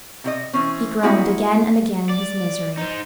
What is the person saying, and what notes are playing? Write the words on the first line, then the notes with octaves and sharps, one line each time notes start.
He groaned again and again in his misery.
C3 F#4 D#5
E3 C4 C#4
A#3 C4 E4 F#4 G#4 E5
D5
D#4 C5